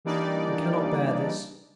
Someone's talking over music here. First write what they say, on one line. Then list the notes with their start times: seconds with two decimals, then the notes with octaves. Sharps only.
I cannot bear this.
0.05 E3 G3 A#3 D4 D#4 D5